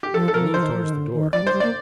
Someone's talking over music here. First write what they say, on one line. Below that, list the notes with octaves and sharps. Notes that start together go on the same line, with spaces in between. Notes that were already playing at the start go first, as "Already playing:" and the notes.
He moved towards the door.
G4
F3 A4
A4
F3 A#4
F3 C5
D#3
F3
D#3
D3
D#3
F3 D5
G3
C5
G3
A#3 D5